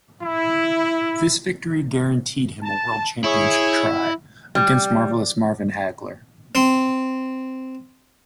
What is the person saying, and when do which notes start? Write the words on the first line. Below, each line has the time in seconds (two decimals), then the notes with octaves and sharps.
This victory guaranteed him a world championship try, against Marvelous Marvin Hagler.
0.22 E4
2.63 A5
3.24 E4 G#4 C#5
4.55 G3
6.55 C4 C6